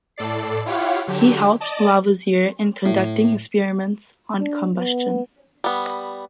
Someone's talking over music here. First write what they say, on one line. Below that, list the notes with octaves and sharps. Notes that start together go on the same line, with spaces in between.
He helped Lavoisier in conducting experiments on combustion.
A2 A4 D5 C7
E4 F4 G4 C#5 F5 F#5
D3 F#3 G4
D5 D#5 A5
A2
D4
B3
G3 B3